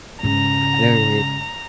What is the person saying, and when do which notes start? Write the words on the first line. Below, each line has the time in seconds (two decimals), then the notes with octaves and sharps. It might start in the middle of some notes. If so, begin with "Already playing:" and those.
I know what you mean.
0.23 G#2 C#3 A#5